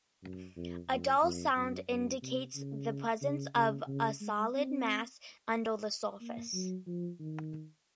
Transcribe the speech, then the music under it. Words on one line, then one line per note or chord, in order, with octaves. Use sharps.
A dull sound indicates the presence of a solid mass under the surface.
F#2
F2
F2
F2
F#2
F#2
C3
C#3
C#3
C#3
C#3
G#3
C4
A#3
F#3
F3
D#3